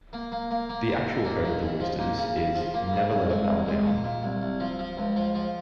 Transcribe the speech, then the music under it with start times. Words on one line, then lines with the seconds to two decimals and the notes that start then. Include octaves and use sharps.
The actual code of the Woosters is Never let a pal down.
0.13 A#3
0.32 A#3
0.51 A#3
0.69 A#3
0.88 D#2
1.07 D#2
1.25 A#3
1.44 D#3
1.62 C#3
1.80 F3
1.99 A#3
2.18 C#3
2.37 C#3
2.55 F3
2.74 A#3
2.93 C#3
3.12 C2
3.30 G#3
3.49 C2
3.67 G#3
3.86 A#2
4.04 A#2
4.23 C2
4.42 C2
4.60 F3
4.79 F3
4.97 C#2
5.16 F3
5.35 F3